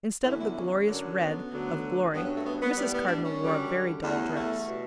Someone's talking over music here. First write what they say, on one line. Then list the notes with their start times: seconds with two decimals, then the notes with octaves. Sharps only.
Instead of the glorious red of Glory, Mrs. Cardinal wore a very dull dress.
0.24 E2 D3 F#3 E4
0.39 E4
0.55 C#4
0.87 F#2 D3 F#3
1.19 B3
1.51 D2 D3 F#3
2.14 G2 F#3 B3
2.24 C#4
2.35 A3
2.45 B3
2.61 B3
2.77 A2 G3 B3
2.93 B3
3.08 D4
3.24 C#4
3.41 F#2 D3 G3
4.04 E2 C#3 G3 A3
4.36 A3
4.67 B2 G3